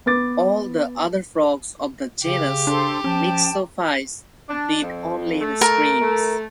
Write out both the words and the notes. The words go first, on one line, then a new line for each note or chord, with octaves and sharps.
All the other frogs of the genus "Mixophyes" breed only in streams.
B3 B4 D6 A6
C#3 G4
D4 A4 C5 C6
F3 C#4 G5 A5
D4
F2
A3
A#4
A3